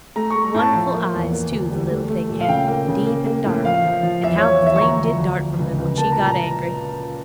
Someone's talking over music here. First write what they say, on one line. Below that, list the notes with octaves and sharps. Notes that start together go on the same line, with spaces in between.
Wonderful eyes, too, the little thing had--deep and dark--and how the flame did dart from them when she got angry!
A3 A#5
A3 C#6
A#5
A2 A5
F3
A#3
E2
A#3
D2
G3
A3
A3
A#2
F5
C#3 G5
A#3
C#3
A#3
A#3
A2
F3 F5
F3
F3
E2 E5
F3 C#5
C#5
E2 E5
C#6
D2 A#5
F3
D2
F3
C#2
C#2
A#3 A5
A#5
A#2
A#5